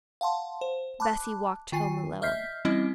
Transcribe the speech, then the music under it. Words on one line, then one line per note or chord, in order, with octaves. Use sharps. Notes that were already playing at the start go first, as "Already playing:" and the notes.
Bessy walked home alone.
F5 F#5 A5 C6
C5
A5 B5 D6 F#6
D#3 F4 G#5 C7
D#5 E5 F6 G6 B6 C7
E3 G3 C4 C#4 E4 D#5